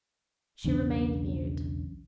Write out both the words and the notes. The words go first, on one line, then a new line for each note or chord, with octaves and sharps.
She remained mute.
B1 E2 C#3 D4